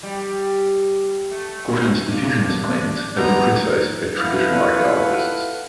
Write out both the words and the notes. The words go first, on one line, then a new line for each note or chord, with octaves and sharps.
Gordon's diffusionist claims have been criticized by traditional archaeologists.
G3
A3
D#2 D4
D2 G2 G#3 B3 D#4 A#5
E4 F4 A4 B4 F5 F#5